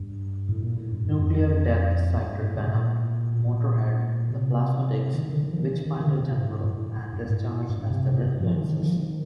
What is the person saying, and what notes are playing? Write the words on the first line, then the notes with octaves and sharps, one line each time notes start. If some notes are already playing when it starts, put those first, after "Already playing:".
Nuclear Death cited Venom, Motorhead, The Plasmatics, Witchfinder General, and Discharge as their influences.
Already playing: G2
A2
A#2
A2
G2
G2
F2
G2
A2
C3
A#2
A#2
C3
D#3
D3
D#3
F3
D#3
D#3
D#3
D3
C3
A2
G2
A2
A2
G2
A2
G2
C3
C3
G2
F3
D#3
D#3
F3
D#3